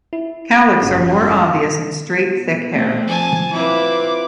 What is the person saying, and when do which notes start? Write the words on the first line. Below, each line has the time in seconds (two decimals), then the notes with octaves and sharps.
Cowlicks are more obvious in straight, thick hair.
0.13 E4
0.82 F#1 E2 G#2 B3 C#4
2.73 A3 C4
3.08 F3 G#5 A5
3.52 C4 E4 F4 B4 D6